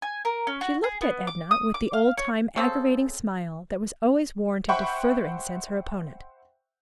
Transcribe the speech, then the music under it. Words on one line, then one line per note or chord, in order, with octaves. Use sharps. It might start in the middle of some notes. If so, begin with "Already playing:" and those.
She looked at Edna with the old-time aggravating smile that was always warranted to further incense her opponent.
G#5
A#4
C#4
F#4
G#4
B3
D6
D#6
D6
F5
C#5
C#3 C4 A4
C5 E5 F#5 G5 B5 C#6